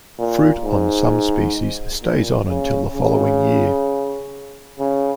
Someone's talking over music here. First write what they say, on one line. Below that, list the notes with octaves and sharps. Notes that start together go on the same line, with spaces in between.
Fruit on some species stays on until the following year.
A#2
G#2
A#2
C#3
C#3
C#3